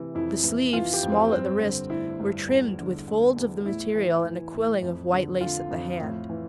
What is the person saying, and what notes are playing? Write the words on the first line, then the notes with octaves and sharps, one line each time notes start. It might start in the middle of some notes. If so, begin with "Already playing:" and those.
The sleeves, small at the wrist, were trimmed with folds of the material and a quilling of white lace at the hand.
Already playing: C3 E3
F2 E4
E3
E3 F4
G4
F2
C4
G2 C4
D3
D3 E4
G2
E2
D3
D3
E2
A2 E4
E3
E3
A2
F2
D3
D3 F4
F2
A2
E3